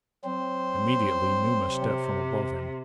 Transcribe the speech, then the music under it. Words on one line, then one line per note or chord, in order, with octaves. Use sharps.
Immediately Numa stepped from above him.
F#3 C4 C5
C3